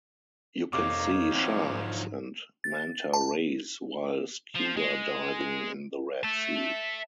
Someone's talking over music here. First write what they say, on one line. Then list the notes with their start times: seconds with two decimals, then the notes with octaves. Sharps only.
You can see sharks and manta rays while scuba diving in the Red Sea.
0.73 F2 C3 A#3 D#4 C#5 F5 D6
1.32 D3 F3 F#3 C4
1.63 G#2
2.64 A6
3.13 A5
4.56 F3
4.77 G#3
6.23 E5 A5